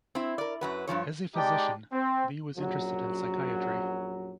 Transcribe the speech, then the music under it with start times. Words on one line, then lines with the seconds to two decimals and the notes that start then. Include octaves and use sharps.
As a physician, Li was interested in psychiatry.
0.15 C4 E4
0.38 A#4 D5
0.61 F#2 F#3 B4
0.87 G2 B2 F3 C#5
1.35 G#3 D#4 G4 D5 G5 A5
1.92 C4
2.57 A#1 F#2 F#3